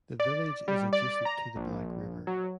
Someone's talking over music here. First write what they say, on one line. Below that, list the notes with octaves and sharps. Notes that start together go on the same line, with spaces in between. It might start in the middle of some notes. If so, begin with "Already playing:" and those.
The village is adjacent to the Black River.
D5
G3
D5
A#5
A#1
F#3